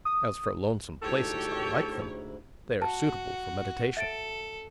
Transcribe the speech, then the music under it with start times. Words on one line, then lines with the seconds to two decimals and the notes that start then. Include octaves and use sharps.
As for lonesome places, I like them: they are suitable for meditation.
0.05 D#6
1.02 D2 G#2 E4 G4 A4 C#5
2.82 F#4 A5
3.97 A4 E5 A6 D7